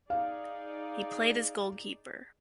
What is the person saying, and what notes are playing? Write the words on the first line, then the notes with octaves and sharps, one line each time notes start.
He played as goalkeeper.
D#4 G#4 D5 F5